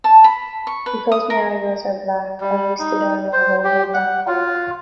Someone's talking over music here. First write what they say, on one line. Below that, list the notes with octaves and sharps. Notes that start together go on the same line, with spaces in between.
Because my eyebrows are black, I used to dye my whole head that color.
A5
B5
C#6
B4
D#6
A#4
G3
D#4
C5
G4
F#5
F4